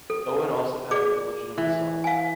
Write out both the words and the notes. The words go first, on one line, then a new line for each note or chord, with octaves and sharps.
Owen also had an illegitimate son.
A4
G#4 D5 D6
E3
F5 G#5